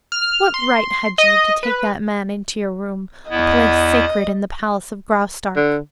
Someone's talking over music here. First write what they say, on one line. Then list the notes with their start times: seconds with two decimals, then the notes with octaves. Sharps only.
What right had you to take that man into your room, a place sacred in the palace of Graustark?
0.12 F6
0.54 C6
1.18 D#5
1.63 B4
3.30 E2 B3 E4 D#5
5.56 D3